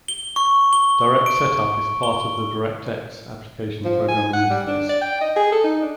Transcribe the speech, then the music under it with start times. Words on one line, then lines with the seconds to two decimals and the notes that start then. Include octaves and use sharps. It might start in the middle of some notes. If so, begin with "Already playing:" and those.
DirectSetup is part of the DirectX application programming interface.
0.08 G7
0.36 C#6
0.73 G7
1.26 D7
2.03 G7
3.84 F3
4.08 G#5
4.33 F#5
4.50 G3
4.67 D4
4.89 D5
5.01 G5
5.21 D#5
5.36 G#4
5.52 A4
5.64 D#4
5.82 D4